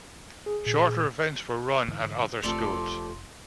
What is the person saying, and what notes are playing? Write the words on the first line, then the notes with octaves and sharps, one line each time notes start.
Shorter events were run at other schools.
G#4
A#2
G#2 D3 E3
F1 C3 F3 A3 A4 D5 C6